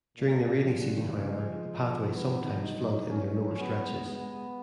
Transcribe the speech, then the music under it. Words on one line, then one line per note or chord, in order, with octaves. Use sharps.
During the rainy season, however, the pathways sometimes flood in their lower stretches.
A#2
A#2 F3
F#3
D#3
D#3
C#3 G#3
F3
B3
D#3
F3
F#3 D#4
C#4
F3
F#3 B3
G#3
G#3 B3